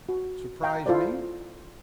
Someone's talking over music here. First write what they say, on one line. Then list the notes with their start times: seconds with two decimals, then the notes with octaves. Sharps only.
"Surprise me?"
0.09 F#4
0.63 F5 G5 A#5
0.86 E4 F4 A4 C5 D5